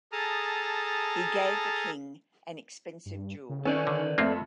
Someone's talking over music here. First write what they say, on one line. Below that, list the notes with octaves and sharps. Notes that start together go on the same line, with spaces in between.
He gave the king an expensive jewel.
G#4 A4 A5 A#5 D#6 F6
G2
C#3
D#3 C#4 A4 B4 D5
D3 D#3
F2 A3 A#3 C4 F4 E5